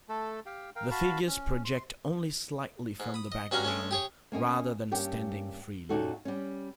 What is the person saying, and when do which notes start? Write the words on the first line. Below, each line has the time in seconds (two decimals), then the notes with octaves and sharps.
The figures project only slightly from the background rather than standing freely.
0.09 A3 A4
0.46 G4 F5 G5
0.76 A#4 F5 G5
0.91 F#4 F5 A5 B5
1.27 C#4
1.65 C6
3.00 G#2
3.14 B5 D#6
3.32 D#5
3.51 G2 C#4 F#4 F5 G#5 A#5
3.65 G#3 A3 C#4
3.91 G4 G#4 C#5
4.32 A#3 C#4 D#5 G#5
4.92 G2 A#3 C#4 G4 G5
5.89 A#2 C#4 D#4 F#4 G4 A4
6.25 G3 C#4